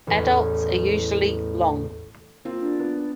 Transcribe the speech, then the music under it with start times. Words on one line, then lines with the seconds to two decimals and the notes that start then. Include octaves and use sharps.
Adults are usually long.
0.07 A1 E2
2.45 A#3 C4 F4
2.61 D4
2.80 B3